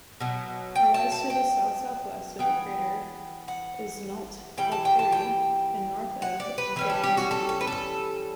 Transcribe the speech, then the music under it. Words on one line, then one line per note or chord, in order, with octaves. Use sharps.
It lies to the south-southwest of the crater Esnault-Pelterie, and north of Gadomski.
B2 F#3
G5
A5
A5
G5
E3 B3 G5
F#5
E3 G3 G5
A5
G5
A5
G5
F#5
D5
B4
E3 G3 C#4 B4
A4
G4
F#4
A4
A4
B4
A4